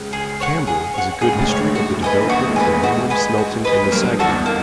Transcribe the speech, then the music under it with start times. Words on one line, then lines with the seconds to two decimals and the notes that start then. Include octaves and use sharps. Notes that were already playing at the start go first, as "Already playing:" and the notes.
Campbell is a good history of the development of aluminum smelting in the Saguenay.
Already playing: C#2 C#3
0.13 G#4
0.40 C#5 F#5
0.67 G#4
0.94 C#5 F#5
1.21 C#2 C#3 G#4
1.34 G#2
1.39 A1 A2
1.49 C#5 F#5
1.57 G#2
1.75 G2 F#4
1.93 A1 A2
2.03 B4 D#5 G#5
2.11 A#1 A#2
2.22 D#3
2.29 E2 E3 F#4
2.47 G#2 G#3
2.56 B4 D#5 G#5
2.65 A2 A3
2.83 G#2 G#3 F#4
3.10 B4 D#5 G#5
3.38 F#4
3.65 B4 D#5 G#5
3.84 F#3
3.92 G2 G3 A#3
4.09 F2 F3
4.19 D4 F#4 A4
4.28 E2 E3
4.46 D#3 A#3